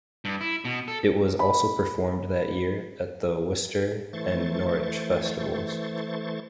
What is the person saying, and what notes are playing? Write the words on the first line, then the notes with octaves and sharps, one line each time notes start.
It was also performed that year at the Worcester and Norwich festivals.
G2
E4
B2
A4
B5
E3 A3 C5 C#6 A6